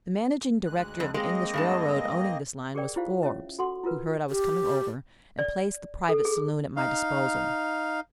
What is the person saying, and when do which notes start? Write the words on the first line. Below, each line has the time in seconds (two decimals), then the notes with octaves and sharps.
The managing director of the English railroad owning this line was Forbes, who heard I was coming over, and placed the private saloon at my disposal.
0.66 D2 G#3 F#6
1.00 F2
1.14 G#3 A#3 C4 D#5
1.54 G2 G#3 A5
2.75 G4 G#4 A#4 D5 G5
2.96 E4 F4 G4 C5 F5
3.23 C#4 C#5 E5
3.59 F#4 A4 F#5 C6 C#6
3.83 E4 F4 A#4 B4
4.29 G4
5.39 D5
6.09 A4
6.25 G#4
6.76 D#4 F5